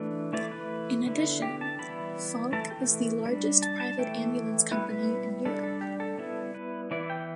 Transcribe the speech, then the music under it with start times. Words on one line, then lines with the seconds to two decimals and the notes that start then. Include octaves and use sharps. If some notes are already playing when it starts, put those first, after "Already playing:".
In addition, Falck is the largest private ambulance company in Europe.
Already playing: E3 A3 D4
0.33 E3 A3 E4 D5
0.51 B4
1.06 D3 B3 E4
1.42 G4
1.61 A5
1.79 E3 G3 B3 E4 B5
2.52 E3 A3 E4 A5
2.70 G5
3.25 G3 D4
3.62 A5
3.80 A5
3.98 E3 A3 E4 G5
4.71 G3 B3 E4 B4
4.90 B4
5.45 G3 D4 A4
5.63 A4
5.81 G4
6.00 A4
6.18 G3 B3 E4
6.55 B4
6.91 E3 B3 E4 D5
7.10 G5